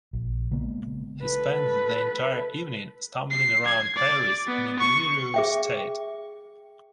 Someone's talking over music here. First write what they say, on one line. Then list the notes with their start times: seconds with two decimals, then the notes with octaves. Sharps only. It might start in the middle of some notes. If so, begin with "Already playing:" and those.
He spends the entire evening stumbling around Paris in a delirious state.
0.13 A#1
0.51 C#3 G#3 A#3 B3
1.23 A4 B4
3.31 C7
3.65 G#6
3.96 D5
4.47 B3
4.79 C#6
5.34 G#4 E5 G5